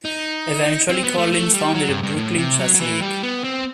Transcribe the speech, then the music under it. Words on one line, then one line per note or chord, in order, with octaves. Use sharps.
Eventually Collins founded the Brooklyn Chess League.
D#4
C4
B3
A3
A3
G3
F#3
G2
G2
A2
C3
F#3
F#3
E3
G3
B3
C4